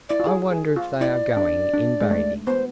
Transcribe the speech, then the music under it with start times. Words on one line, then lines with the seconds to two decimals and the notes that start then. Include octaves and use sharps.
"I wonder if they are going in bathing."
0.09 E4 D5
0.20 F4
0.27 G#4
0.51 G#4
0.76 F4
1.01 E4 D5
1.37 D4
1.74 D4
2.01 G#3
2.11 A3
2.47 B3 C5